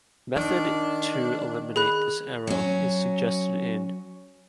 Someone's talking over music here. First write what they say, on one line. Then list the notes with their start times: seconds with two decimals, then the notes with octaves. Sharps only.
Method to eliminate this error is suggested in.
0.36 D#3 D4
1.76 G#4 B5 F#6
2.47 F#3 C#4